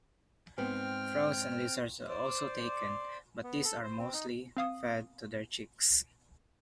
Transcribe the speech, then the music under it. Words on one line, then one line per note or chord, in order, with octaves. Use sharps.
Frogs and lizards are also taken, but these are mostly fed to their chicks.
G#2 B3 C4 G5 F6
C5 D5
B3
A4
C5
C4
D#4
C4 F5 D#6